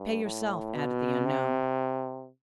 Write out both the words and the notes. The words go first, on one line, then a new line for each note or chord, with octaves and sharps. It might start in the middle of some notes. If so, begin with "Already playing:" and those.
"Pay yourself," added the unknown.
Already playing: G2
A2
B2
C3